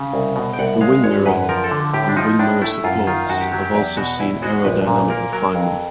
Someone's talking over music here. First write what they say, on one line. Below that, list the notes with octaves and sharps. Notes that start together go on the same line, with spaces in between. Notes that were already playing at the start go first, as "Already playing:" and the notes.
The wing mirror and wing mirror supports have also seen aerodynamic refinement.
Already playing: C#3
C2
B2
G5
C2 F#5
G#3 F5
G#1 C#5
F#2 B4
F3 A#4
A4
D3
A2 G4
D4
F3 D#4
A2 D4
A3 E4
F#2 F4
D#3 F4
F#2 F#4
G4
F#3 G4
G4
E2 G4
B2 F#4
E2 E4
G#3 F#4
A#1 B4
A#2
A#3 A#4
F#3 A#4
F2